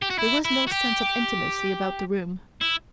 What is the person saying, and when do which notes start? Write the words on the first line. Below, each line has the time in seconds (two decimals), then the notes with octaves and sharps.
There was no sense of intimacy about the room.
0.02 G4
0.10 F#4
0.18 E4
0.45 E4
0.67 F#4
0.72 G4
2.61 E4